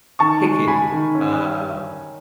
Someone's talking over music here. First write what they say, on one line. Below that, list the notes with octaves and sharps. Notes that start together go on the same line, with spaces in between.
picking, uh,
D#3 A5 C#6
G#3
G#3 G#5 B5
D#3
C#4